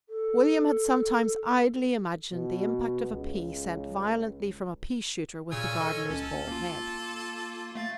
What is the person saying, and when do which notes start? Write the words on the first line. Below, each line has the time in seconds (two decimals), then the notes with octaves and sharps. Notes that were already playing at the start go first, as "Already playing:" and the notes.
William had sometimes idly imagined the impact of a pea sent violently from a pea-shooter with the gardener's bald head.
0.09 A4
2.33 B2
3.11 C#2
5.52 A#2 C#3 C#4 G#5 E6
5.81 A4 D#5
6.10 C#2 C#4 A4
6.48 A#3 F4
7.75 A3 F5 A6